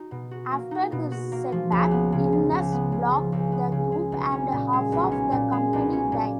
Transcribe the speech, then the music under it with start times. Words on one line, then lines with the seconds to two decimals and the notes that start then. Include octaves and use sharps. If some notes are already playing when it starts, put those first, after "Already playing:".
After this setback, illness plagued the group and half of the company died.
Already playing: D#4 F#4
0.11 B2
0.31 F#4
0.51 A#3
0.71 D#4
0.92 B2
1.12 F#4
1.32 A#3
1.52 F3
1.72 C#2
1.91 B3
2.12 C#3
2.32 F3
2.51 C#2
2.72 B3
2.92 C#3
3.12 F3
3.32 C#2
3.52 B3
3.72 C#3
3.92 G#3
4.12 B1
4.32 C#4
4.52 A#2
4.73 G#3
4.92 B1
5.12 C#4
5.32 A#2
5.52 G#3
5.73 B1
5.93 C#4
6.12 A#2